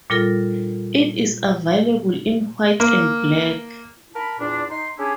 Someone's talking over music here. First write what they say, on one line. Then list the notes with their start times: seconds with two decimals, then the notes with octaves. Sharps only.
It is available in white and black.
0.10 A#2 G3 F4 A4 A#4 A#6
2.80 A#3
4.15 A#4 A5 B5
4.40 E2 A#2 D4
4.70 D#4 C6
4.98 C#4 D4 E4 G4 G#4